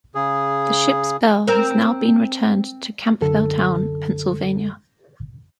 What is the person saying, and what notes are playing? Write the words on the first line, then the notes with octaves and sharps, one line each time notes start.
The ship's bell has now been returned to Campbelltown, Pennsylvania.
C#3 G#4
C4 A#4
C2 F#2 D3 A4